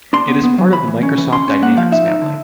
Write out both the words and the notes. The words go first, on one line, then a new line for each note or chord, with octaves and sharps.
It is part of the Microsoft Dynamics family.
D4 C6
B3
B3
F#3
E3 B5
E3
C#4
E3
C#4 C6
C#4
A#3 F#5
F3 F5
D#4 E5
D#4
D3